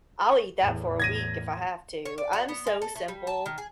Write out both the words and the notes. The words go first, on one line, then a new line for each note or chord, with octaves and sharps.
I'll eat that for a week if I have to. I'm so simple,
E2 A2
G#6 A#6 D#7
C#5
D5
F#4
B3
G#3
A4
A3
G3
A5
D#3
G#4